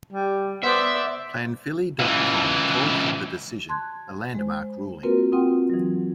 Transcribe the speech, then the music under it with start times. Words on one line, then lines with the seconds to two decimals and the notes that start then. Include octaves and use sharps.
PlanPhilly dot com called the decision a landmark ruling.
0.13 G3
0.64 B3 C5 D5 E5
1.99 C#2 E3
3.69 A5 C6 F#6 G#6
4.35 G#3 C5
5.03 A#3 C4 F4 F#4 A#4 B4
5.32 C4 F4 F#5 G5 C6 D#6
5.70 E3 F#3